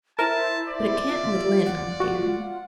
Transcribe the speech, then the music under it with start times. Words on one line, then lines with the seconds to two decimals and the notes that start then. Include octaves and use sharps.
But it can't with Lynde, I'm fearing.
0.19 E4 A#4 C5 E5 A5
0.68 D5
1.08 F4 E5
1.66 F#5
2.00 F#4